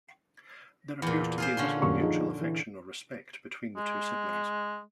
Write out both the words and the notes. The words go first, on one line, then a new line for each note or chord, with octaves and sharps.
There appears to be little mutual affection or respect between the two siblings.
E2 A#2
F4 G#4 C5
D3 C#4 C6
D#1 F#2 C#6
F3 D#4 G#4
E3
G#3